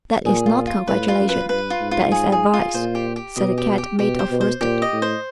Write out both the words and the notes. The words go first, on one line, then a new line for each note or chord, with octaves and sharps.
"That is not congratulation; that is advice," said the Cat-made-of-worsted.
A#2 G#4
F4
F4
A2 B4
F4
F#2
B4
G2 B4
F4
G#2
F4
G#4
G#4
F4
A#2 C5
G4
G4
B2 D#5
G4
G4
B2 G4
C5
B2
C5
A#2 G4
D#5
A2
C5